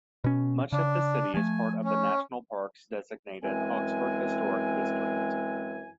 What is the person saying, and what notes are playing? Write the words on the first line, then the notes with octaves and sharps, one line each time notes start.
Much of the city is part of the National Parks-designated Oxford Historic District.
B2 C#4
C#3 D4
F3 A3 G#5
C#4
F#2 E3 G#3 C4 G#5